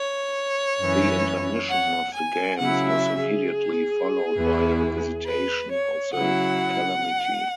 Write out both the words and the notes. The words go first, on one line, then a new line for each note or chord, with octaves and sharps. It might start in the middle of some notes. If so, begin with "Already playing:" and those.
The intermission of the games was immediately followed by a visitation of the calamity.
Already playing: C#5
F#2 E3 C#4
F#5
G#5
C#3 F#3 E4 F#5
E5
G#4
E2 E3 B3 E4
B4
C#5
C#3 F#3 E4 F#5